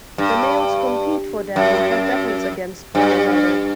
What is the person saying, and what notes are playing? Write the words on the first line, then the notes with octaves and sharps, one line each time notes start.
The males compete for them and fight battles against one another.
G2
F#2
G2